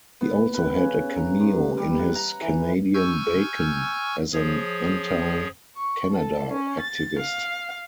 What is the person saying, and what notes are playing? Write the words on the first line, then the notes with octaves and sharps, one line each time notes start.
He also had a cameo in his "Canadian Bacon" as an anti-Canada activist.
B3
B4
C#3
A#5
G2
G3
F#5
A#5
E3
G#5 C#6 E6 F6 G6 G#6
F3 G#4 C#5
C#6
A4
C#4
A6
F5